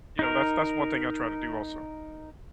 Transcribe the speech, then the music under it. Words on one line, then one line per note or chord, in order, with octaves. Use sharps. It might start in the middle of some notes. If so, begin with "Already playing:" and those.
you know, that's that's one thing I try to do also.
D#4 A#4